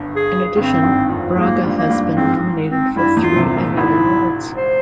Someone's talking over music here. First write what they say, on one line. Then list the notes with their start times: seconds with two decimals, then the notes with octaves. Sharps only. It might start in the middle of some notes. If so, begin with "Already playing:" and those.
In addition, Braga has been nominated for three Emmy Awards.
Already playing: G1 G2
0.16 G#4
0.56 G1 G2 C4
0.82 G#1 G#2
1.09 F2 F3
1.36 G#2 G#3 A#3
1.63 G2 G3
1.77 A#3
1.89 G2 G3
2.16 G#2 G#3 C4
2.70 C4
2.96 G2 G3 E4
3.17 E2 E3
3.23 F4
3.36 C2 C3
3.56 A#1 A#2
3.67 A#2
3.77 G#1 G#2 E4
4.57 C5